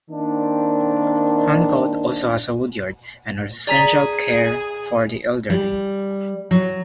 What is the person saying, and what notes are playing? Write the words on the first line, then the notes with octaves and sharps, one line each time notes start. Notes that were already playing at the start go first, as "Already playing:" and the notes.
Huncote also has a woodyard, and a residential care home for the elderly.
D#3 A#3 C4 D4
G#4 D5 A#5 B6
G3
F#3